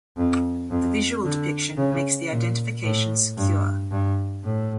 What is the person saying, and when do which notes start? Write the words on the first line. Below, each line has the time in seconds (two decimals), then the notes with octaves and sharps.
The visual depiction makes the identification secure.
0.17 F2
0.70 F2
1.24 D3
1.77 C#3
2.31 A#2
2.83 A2
3.37 G2
3.91 G2
4.44 A2